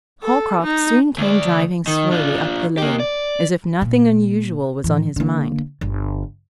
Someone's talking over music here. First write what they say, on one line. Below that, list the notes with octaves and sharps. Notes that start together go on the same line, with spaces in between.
Holcroft soon came driving slowly up the lane as if nothing unusual was on his mind.
A4
D#4
D2 D5
D#3
D4 F4
A#3 G4
D5
A#2
A2 E3
D3 A#3
G1 F4